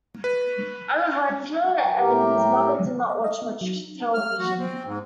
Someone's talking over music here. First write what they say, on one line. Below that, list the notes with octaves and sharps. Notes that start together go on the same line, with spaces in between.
Alejandro and his brother did not watch much television.
B4
A2 G4 A#4
D#5
D#5
B3
F#3
F6
F#4
C4
G#2